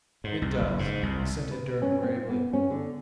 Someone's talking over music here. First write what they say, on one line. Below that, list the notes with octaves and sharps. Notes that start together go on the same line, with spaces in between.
"It does," assented Durham gravely.
G#2
C2
F#1
G#2
C2
B4
C#4
C4
F4
B3
C#4
D3